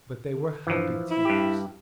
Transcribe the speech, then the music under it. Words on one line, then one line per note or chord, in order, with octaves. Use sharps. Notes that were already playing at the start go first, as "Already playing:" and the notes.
But they were happy tears.
D3
G2 E3 F3
E4
G2 G4